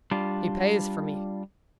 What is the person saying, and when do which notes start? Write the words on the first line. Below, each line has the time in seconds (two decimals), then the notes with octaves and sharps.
"He pays for me."
0.11 G3 D4 F4